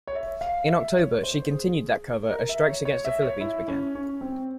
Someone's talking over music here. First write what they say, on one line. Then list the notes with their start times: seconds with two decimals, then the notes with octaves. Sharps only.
In October, she continued that cover as strikes against the Philippines began.
0.07 C#5
0.15 E5
0.41 F5
0.69 E5
0.96 C#5
1.12 C#5
1.23 C5
1.51 G#4
2.31 A#4
2.49 E5
2.68 C#5
2.85 C#5
3.05 E5
3.22 C#5
3.41 E4
3.68 C#4
3.95 C#4
4.21 C4